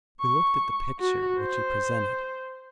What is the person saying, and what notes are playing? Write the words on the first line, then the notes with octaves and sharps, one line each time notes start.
We looked at the picture which he presented.
C#6
F#4
C5